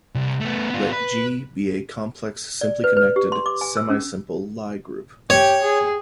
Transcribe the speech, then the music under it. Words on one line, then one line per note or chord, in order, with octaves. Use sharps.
Let "G" be a complex simply connected semisimple Lie group.
C2
A3 B3
B3 F4
B4
D5
B4
B4
G4
C6
D6
G#5
E6
C#4
G4 C#5
G#4